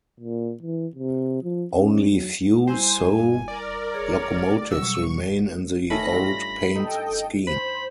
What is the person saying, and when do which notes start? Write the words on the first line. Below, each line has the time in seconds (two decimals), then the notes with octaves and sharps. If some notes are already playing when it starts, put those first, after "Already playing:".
Only few Soo locomotives remain in the old paint scheme.
0.20 A#2
0.63 E3
0.96 C3
1.43 F3
1.74 C#4
2.10 F#3
2.67 G3 E4 C5 G#5
3.20 G2
3.48 A#4 D5
3.94 G#4 C#5
4.71 B2 F#3 G3 C#6 E6
5.90 D#3 A3 C#4 B5 A#6
6.12 G2 F4
6.75 D#4 A4 D#5 G5
7.47 C5 B5